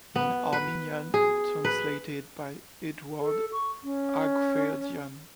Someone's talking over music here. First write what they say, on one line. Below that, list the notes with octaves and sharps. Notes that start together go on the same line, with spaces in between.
In Armenian, translated by Eduard Hakhverdyan.
B3
B4
G#4
B4
A4
C#6
C#4